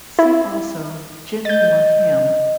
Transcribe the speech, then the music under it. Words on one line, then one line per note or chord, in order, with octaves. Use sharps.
"See also Jinhua ham".
E4
D#5 G6 A6